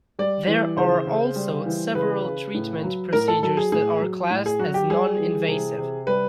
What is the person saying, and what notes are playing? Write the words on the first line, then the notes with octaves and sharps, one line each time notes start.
There are also several treatment procedures that are classed as non-invasive.
G3 D5
E3
C#3 C5
C#3
G3
E3
C#3 B4
C#3
A2
F#3
A2 A#4
A4
F#3 A4
G#4
A2 G#4
F#3
A2
G#4
F#3 F#4
G4
G3 G#4
E3
C3
C3
G3 B4